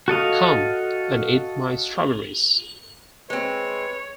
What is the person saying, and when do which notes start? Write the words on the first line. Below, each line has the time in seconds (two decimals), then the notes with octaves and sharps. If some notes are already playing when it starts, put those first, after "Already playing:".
Come, and eat my strawberries.
0.08 F#4 A4 D#5 F5
3.30 G#3 C4 B4 C#5